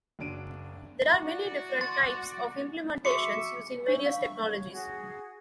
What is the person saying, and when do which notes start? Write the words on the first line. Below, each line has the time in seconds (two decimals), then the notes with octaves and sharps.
There are many different types of implementations using various technologies.
0.19 F#1 F#3 D4 D7 D#7
1.10 E4 F#4 D5 E5
1.81 C6 A6
3.05 F#4 G#4 E5 C#6 D6 C#7
3.86 D4 C#5 E5 B5 C#6
4.06 F5
4.45 C#5
4.73 F#4 G#4